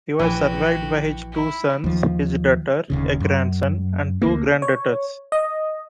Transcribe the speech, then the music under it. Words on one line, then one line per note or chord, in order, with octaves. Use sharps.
He was survived by his two sons, his daughter, a grandson and two granddaughters.
A#1 E3 F#4 G4
E4
D#2 F3
D#1 D#2 C#3
F#2
D2 A#3
C#5
D#5